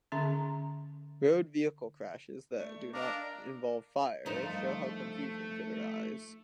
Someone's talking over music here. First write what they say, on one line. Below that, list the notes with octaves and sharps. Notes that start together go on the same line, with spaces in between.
Road-vehicle crashes that do not involve fire show how confusion could arise.
D3 C#4 G#4 E5 A#5 C6
A3 D5
D4 A#4 D#5 F5 D6
G2 F3 A3 D#4 A#4 C5